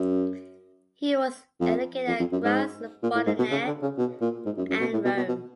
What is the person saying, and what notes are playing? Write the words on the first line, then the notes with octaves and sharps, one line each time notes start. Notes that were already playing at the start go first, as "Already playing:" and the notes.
He was educated at Graz, Bologna and Rome.
Already playing: F#2
F2
F2
F2
F#2
G#2
A#2
A2
G#2
B2
C#3
D3
C#3
B2
A#2
G#2
F#2
F#2
B2
A2
B2
B2
B2